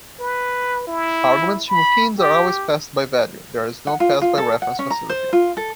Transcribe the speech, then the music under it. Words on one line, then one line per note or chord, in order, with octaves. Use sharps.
Arguments to routines are always passed by value; there is no pass-by-reference facility.
B4
E4
B5
G4
F#5
F4
F4
A4
F#5
C#4
A#5
C5
F4
A4